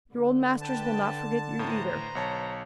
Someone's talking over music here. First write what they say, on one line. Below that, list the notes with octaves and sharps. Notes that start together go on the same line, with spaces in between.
Your old masters will not forget you either.
D3
B4 G5 A5
A2 B4 C5 A#5
B1 C#5 A5